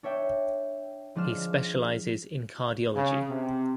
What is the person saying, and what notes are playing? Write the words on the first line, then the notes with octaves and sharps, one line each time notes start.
He specialises in cardiology.
D4 C#5 E5 G5
F3 G#3 D4 F4 F6 E7
C#3
C3